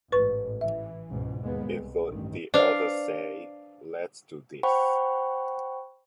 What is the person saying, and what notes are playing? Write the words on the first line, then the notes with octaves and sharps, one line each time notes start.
If the others say let's do this ...
A1 G#2 B4 C#6
E3 E5
C#2 G#2 B2
D#2 G#3 B3
C2
A1 G2 D#3
D4 B4 C5 D5 F5
C5 F#5 G5 B5 C#6